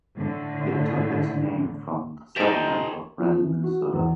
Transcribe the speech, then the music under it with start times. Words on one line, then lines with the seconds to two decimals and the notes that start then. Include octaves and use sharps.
It took its name from the settlement of Brandon, Minnesota.
0.16 A2 D3
2.36 D#4 G4 A4 C5 D5 E5 A#5
3.19 F3
3.43 E3
3.64 F#4
3.93 E2